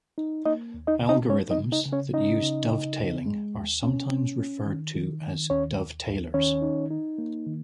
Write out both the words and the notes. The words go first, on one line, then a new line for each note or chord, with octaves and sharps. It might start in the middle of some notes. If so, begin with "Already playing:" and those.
Algorithms that use dovetailing are sometimes referred to as dovetailers.
D#4
A#3 D#4 D#5
D#2
D#4 D#5
C#3
D#4 D#5
C#4 C#5
D#4 D#5
C#3
D#4 D#5
C#3
C#4 C#5
C#4 D#4 D#5
C#3
C#3
D#2
G#3
D#2
C#4
C#4
C#4
D#3
D#3
D#3
D#2 C#4 C#5
D#2
D#2
D#3 C#4 C#5
D#4
D#4
A#3
D#3